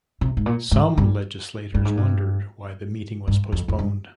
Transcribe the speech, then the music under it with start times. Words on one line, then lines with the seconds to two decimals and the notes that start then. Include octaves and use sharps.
Some legislators wondered why the meeting was postponed.
0.21 C3
0.37 G#2
0.46 A#2
0.71 G#2
0.98 G2
1.74 G2
1.85 G#2
1.97 G2
3.28 G2
3.52 F2
3.68 F2
3.79 G2